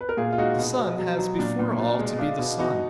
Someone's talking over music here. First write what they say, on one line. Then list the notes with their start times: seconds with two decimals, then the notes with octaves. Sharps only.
The sun has before all to be the sun.
0.01 B4
0.09 A#4
0.17 A#2 F4 G#4
0.32 F4
0.38 G#3 D#4 F#4
0.59 B2
0.78 B2
0.99 F#3
1.18 F#3
1.39 A#2 D4
1.59 A#2
1.79 B2
1.99 G#3
2.19 G#3 D4 F4
2.39 B2
2.59 B2 D#4 F#4